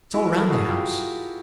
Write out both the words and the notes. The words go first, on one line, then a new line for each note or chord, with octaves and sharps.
It's all round the house.
E4 F#4
A#4
A4
F#4 G#4
F4 G4